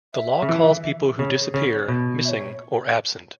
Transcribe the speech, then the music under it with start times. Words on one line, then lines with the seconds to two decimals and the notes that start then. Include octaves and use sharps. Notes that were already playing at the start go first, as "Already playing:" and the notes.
The law calls people who disappear "missing" or "absent".
0.14 E5
0.42 C#3
0.49 E3
1.19 C#3 C#5
1.54 C#3 C#5
1.88 B2
2.25 E5
2.29 C#5